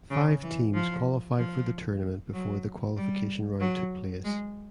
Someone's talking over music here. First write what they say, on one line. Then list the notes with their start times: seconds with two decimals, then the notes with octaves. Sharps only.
Five teams qualified for the tournament before the qualification round took place.
0.10 C#3
0.43 E3
0.73 F3
1.38 F3
2.33 F#3
2.97 G3
3.60 F#3
4.24 G#3